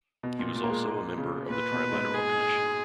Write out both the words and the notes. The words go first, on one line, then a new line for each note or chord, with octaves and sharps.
He was also a member of the Trilateral Commission.
B2
A#2
A#2
A#3
G#3
A#3
C#3
A#2 B4
B2
G#2
G#4